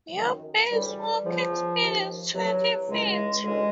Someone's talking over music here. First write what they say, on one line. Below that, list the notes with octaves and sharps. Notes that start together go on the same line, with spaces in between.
Your base walking speed is twenty feet.
F#2 D#3
D2 C#3 E3 G3
E2 C#3 E3 F3
D#2 D#3
C2 C3 E3 F#3
C#2 C#3 E3 G#3
D2 C#3 E3 G#3